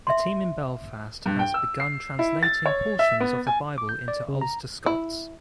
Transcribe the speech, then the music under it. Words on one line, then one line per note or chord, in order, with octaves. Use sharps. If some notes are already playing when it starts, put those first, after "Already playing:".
A team in Belfast has begun translating portions of the Bible into Ulster Scots.
E5 C6
G2
G5
E6
C7
E4
A6
C#5
E5
B3
G#5
D6
G6
D5
C#3
A#5
E4